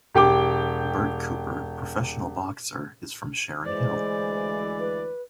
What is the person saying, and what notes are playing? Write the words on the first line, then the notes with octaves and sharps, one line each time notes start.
Bert Cooper, professional boxer, is from Sharon Hill.
E1 G4 G5 D6
D2 E3 G#3 C5 D5
B4